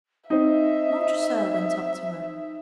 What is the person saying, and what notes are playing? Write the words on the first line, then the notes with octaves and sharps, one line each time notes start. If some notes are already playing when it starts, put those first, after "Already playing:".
Montresor went up to her.
C4 D#4 D#5 E5